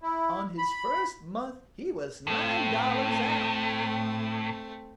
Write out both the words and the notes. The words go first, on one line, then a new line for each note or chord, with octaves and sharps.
On his first month he was nine dollars out.
E4
B5
A2 A3 C4